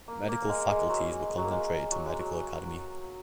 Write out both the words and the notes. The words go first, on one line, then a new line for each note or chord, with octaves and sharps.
Medical faculties were concentrated to Medical Academy.
A#3
A#3
G#3
G#3
F#3
G#3
F#3
A#3
G#3
F#3
G#3
F#3